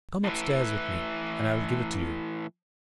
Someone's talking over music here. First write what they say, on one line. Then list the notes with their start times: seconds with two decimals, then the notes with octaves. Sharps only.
"Come up-stairs with me, and I will give it to you."
0.24 A2 E3